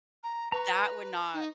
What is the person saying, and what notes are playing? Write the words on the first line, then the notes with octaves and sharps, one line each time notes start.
That would not
A#5
B4 A#5 C#6
D#4